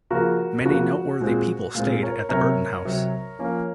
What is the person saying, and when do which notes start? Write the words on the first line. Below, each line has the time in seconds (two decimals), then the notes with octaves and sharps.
Many noteworthy people stayed at the Burton House.
0.10 C#3 F3 A#3 F#4 A#4
0.65 C#3 F3 A#3 F#4
1.20 A#2 G#3 C4
1.75 A#2 G#3 C4 F4
2.03 A#4 C#5
2.29 C3 F#3 C4 A#4 C#5
2.85 C3 F#3 C4
3.39 F3 A#3 C#4